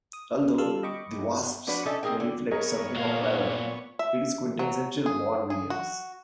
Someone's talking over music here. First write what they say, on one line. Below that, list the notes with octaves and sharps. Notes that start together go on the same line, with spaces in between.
Although "The Wasps" may reflect something of Ravel, it is quintessential Vaughan Williams.
D#6
G3 A4 F5 E6
D#5 G5 B5 C#6 D6
F3 D4 F#4 B4 C#5
C#4 D#4 A4 D5 E5
C4 D#4 G#4 A#4 G5
D3
B3 G#4 A#4 C#5 D#5
A#2 F#3 A#3 F5
E5
F#3
G#4
G#4
F#4